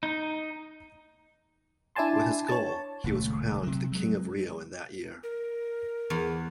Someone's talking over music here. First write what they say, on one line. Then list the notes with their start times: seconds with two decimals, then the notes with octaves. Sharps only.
With his goal he was crowned the King of Rio in that year.
0.03 D#4
1.96 D4 E4 D5 G#5 A5 C6
2.48 C#5 A5
3.04 D#1 C#2 A3
3.63 C3 F#3
3.92 F#3 G#3
5.23 A#4
6.10 E2